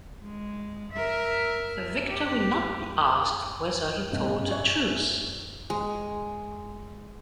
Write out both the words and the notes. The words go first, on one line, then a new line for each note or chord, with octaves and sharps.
The victor will not be asked whether he told the truth.
G#3
A#4 E5
G4
A1 G2 B2 D#5
D5 E5 G#5 C#6 F#6 G#6
G#3